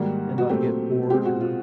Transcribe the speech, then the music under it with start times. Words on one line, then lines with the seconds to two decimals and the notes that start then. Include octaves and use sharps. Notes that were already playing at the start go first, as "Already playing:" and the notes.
And not get bored or
Already playing: G#2 D#3 G3 A#3 F#4
0.38 F#4
0.49 A#2 F#3 A3 C4 G4
1.10 B2 G#3 C4 G4
1.25 F#4
1.41 F4